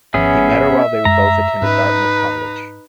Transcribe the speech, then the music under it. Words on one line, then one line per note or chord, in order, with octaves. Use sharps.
He met her while they both attended Dartmouth College.
G#1 F3 B3 C#4 G#4 E5
F#2 G#3 A#5
G#2 C#4 D#4 B4